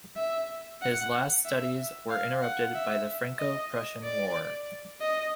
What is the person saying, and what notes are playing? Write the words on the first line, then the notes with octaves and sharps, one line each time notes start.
His last studies were interrupted by the Franco-Prussian War.
E5
F#5
E5
F5
F#5
E5
D#5
D5
D#5